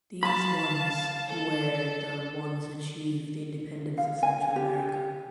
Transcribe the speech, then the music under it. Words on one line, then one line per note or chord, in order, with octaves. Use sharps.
These ones where the ones achieve the independence of Central America.
F5 A5 B5
A4
F5
G#5
G4